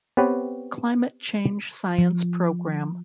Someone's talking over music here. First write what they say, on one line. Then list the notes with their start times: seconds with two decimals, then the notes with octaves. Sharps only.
Climate Change Science Program.
0.17 B3 C4 G4 B4 C#5
1.98 F3